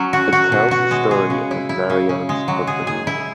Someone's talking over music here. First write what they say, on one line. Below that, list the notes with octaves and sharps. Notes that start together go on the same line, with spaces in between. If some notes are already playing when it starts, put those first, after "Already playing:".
It tells the story of Narayan's upbringing.
Already playing: F#3 C#4
F#4
F#4
B2
F#4
G#3
G#4
C#3
E4
E4
C#3
C#3
G#3
F#3
G#4
G#4
E4